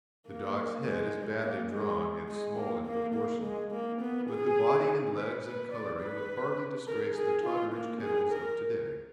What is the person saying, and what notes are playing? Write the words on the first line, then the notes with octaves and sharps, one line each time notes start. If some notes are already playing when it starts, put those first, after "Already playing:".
The dog's head is badly drawn and small in proportion; but the body and legs and colouring would hardly disgrace the Totteridge Kennels of to-day.
A#3
G#3
A#3
G#3
G#3
A#3
A#3
A#3
G#3
A#3
B3
G#4
B4
B4
D5
B4
A#4
G#4
F4
A#3
G#4
A#4